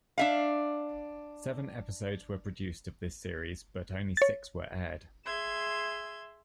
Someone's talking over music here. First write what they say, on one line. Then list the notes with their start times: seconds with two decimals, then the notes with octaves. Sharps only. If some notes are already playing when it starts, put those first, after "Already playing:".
Seven episodes were produced of this series, but only six were aired.
0.18 D4 E5 F5
4.17 C#5 A6
5.25 G#4 E5 C6 E6 G#6